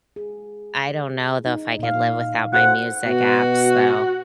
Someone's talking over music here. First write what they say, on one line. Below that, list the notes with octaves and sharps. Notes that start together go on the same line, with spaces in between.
I don't know, though, if I could live without my music apps, though,
G#4
D#4
A#2 F5
F#4 A4 C5 F#5
B2 F#4